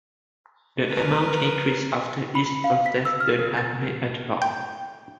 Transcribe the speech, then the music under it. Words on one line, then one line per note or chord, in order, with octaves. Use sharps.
The amounts increase after each contestant has made a drop.
A#4 B4
B5
F5
B6
E6
F6
A#4
A6
G5